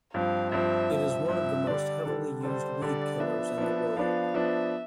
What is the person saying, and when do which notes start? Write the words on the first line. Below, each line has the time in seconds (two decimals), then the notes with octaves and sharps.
It is one of the most heavily used weedkillers in the world.
0.13 G2 F3 C4 F5
0.52 G2 F3 C4 E5
0.90 G2 F3 C4
1.28 G2 F3 C4 E5
1.67 D3 G3 D4 A4 D5
2.05 D3 G3 D4 A4
2.43 D3 G3 D4 A4 C5
2.81 D3 G3 D4 A4 D5
3.19 F3 B3 D4 E5
3.58 F3 B3 D4
3.96 F3 B3 D4 F5
4.34 F3 B3 D4 E5